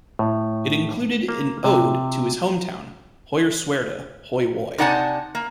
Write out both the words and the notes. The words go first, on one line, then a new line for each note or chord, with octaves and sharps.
It included an ode to his hometown, Hoyerswerda, Hoy Woy.
A2
A#3
C3
C3 D#4 D5 F#5 G#5 A5
A#3